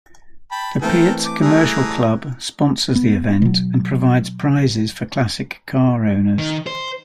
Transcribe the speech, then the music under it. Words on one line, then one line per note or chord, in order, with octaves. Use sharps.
The Pierz Commercial Club sponsors the event and provides prizes for classic car owners.
G5 A5 B5
E3 A3 C4 A4 A#4 G5
D6
E3 G3 A3 G#4 A#5
B3
B2 F#3
D#3
C5